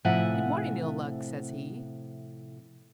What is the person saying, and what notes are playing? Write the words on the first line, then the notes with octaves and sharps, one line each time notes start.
"Good-morning, Ill-Luck," says he.
A2 C3 F3 E5 F#5 G#5